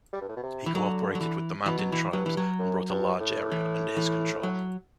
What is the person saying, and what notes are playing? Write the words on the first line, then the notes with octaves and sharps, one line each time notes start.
He cooperated with the mountain tribes and brought a large area under his control.
G3
G2
A2
B2
C3
E3
D3 F#3
F#3
E3
B2 E3
F#3
E3
G2 F#3
E3
F#3
F#2
G2
A2
E3
E3
F#3